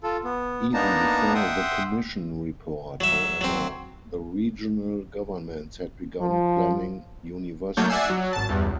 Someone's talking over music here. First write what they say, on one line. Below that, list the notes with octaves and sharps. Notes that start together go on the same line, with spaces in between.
Even before the Commission report, however, the regional governments had begun planning universities.
F4 A4
B3
A#3 B3 D4 D#4 A5 A#5
E5 F#5 G5 C6 D#6
F#3 E5
F#3 C4
F3
F#3 A3 A#3 D4 C#5 G6
D5 E5 F#5 G#5 E6 C7
F#3
G#1 A5
E2 G2 E3
C#2